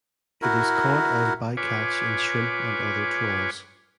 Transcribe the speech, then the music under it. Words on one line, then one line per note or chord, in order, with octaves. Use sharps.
It is caught as bycatch in shrimp and other trawls.
E4 F#4 A#4
F4 B4 C#5 G#5 D6